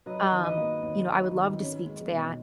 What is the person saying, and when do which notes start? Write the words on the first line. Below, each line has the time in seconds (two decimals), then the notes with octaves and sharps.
Um, you know, I would love to speak to that.
0.06 F#3 B4 D#5
0.32 D#3
0.44 B4 D#5
0.57 A#3
0.83 D#2
1.08 F#3
1.35 D#3
1.59 C#4
1.86 G#3
2.11 B2